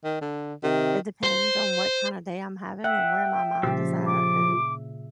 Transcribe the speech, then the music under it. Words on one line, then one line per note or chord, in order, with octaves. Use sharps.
It depends on what kind of day I'm having and where my mind is at and,
D#3
D3
C3 D#3
C5
E5 F#5 G5
A#2 C#3 F3 G4 E6
D6